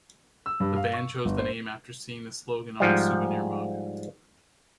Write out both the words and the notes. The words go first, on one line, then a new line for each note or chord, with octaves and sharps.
The band chose the name after seeing the slogan on a souvenir mug.
E6
G2
F5
C#6
G1
C5
G#2 F3 G3